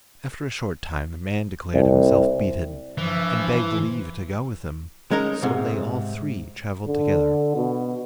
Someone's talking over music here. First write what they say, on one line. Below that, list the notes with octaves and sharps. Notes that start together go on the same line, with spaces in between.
After a short time the man declared himself beaten, and begged leave to go with them; so they all three travelled together.
C2
G2 E3 F3
G#3 C#4 D#4 A#4
G#2 C3
D3
B2